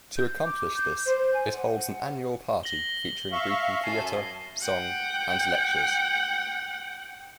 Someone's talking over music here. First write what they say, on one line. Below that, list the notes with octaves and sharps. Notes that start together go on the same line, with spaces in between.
To accomplish this, it holds an annual party featuring Breton theatre, song, and lectures.
G6
D6
G6
C5
G#5
F#5
A#6 F#7 G7
E5 F5 C#6
F#2 G#5 A5 C7
F#5 G5